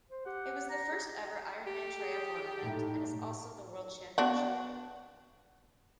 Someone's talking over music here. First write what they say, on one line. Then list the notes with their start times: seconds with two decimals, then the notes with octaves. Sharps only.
It was the first ever Ironman triathlon event and is also the world championship.
0.11 C5
0.26 G4 F#5
0.69 A#5
0.91 G#4
1.67 G4
1.98 G#4
2.62 A2 D#4
4.18 B3 D4 F#4